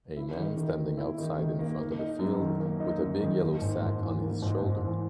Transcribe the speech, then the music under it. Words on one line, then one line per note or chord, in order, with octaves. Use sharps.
A man standing outside in front of a field with a big yellow sack on his shoulder.
E4
D#3
D#3
A#3
E4
D#3
D#3
A#3
A#3
D#4
F#2
D#3
A#3
D#4
F#2
D#3
A#3
G#2
G#2
E3
A#3
G#2
G#2
E3